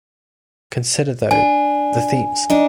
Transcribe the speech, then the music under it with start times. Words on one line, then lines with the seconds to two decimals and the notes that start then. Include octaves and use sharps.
Consider though, the themes.
1.31 D4 G#5
2.50 D4 D#4